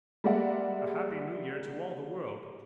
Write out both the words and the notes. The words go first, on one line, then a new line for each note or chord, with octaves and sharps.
A happy New Year to all the world!
G3 G#3 A#3 D5 E5 F#5